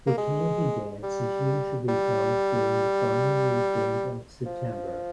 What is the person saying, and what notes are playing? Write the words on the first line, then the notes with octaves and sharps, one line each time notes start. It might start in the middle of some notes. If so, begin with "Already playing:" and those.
The Candy Dance is usually held during the final weekend of September.
A#3
G#3
G3
G3
F3